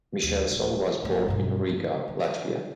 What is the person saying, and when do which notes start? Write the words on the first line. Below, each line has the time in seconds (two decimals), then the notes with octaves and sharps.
Michelson was born in Riga, Latvia.
0.23 D#2 E4
0.50 D#1 D#3
1.02 G1 A#3
1.28 G2 B2
1.69 F#3 A#3
2.08 F#3